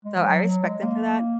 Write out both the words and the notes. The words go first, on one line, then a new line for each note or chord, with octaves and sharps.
So, I respect them for that,
G#3
F3
F#3
F#3
G#3
A#3